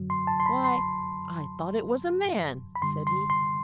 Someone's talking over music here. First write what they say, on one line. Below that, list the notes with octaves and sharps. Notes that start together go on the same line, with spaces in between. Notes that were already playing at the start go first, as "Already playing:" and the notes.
'Why, I thought it was a man!' said he.
Already playing: F#2 D3 F#3
C6
A5
C6
B5
C6
B5
F#2 D3 G3 C6
C6
C6